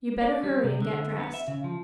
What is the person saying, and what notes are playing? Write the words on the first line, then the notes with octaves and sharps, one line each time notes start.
'You'd better hurry and get dressed.
D5
G3
C3
D3
B3
E5
C#3
F3